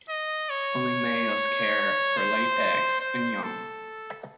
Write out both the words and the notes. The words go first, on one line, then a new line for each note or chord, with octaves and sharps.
Only males care for laid eggs and young.
D#5
C#5
C5
C5
A4